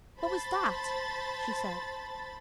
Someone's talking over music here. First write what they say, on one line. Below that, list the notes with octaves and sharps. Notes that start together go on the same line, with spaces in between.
"What was that?" she said.
C5 A5 B5 A6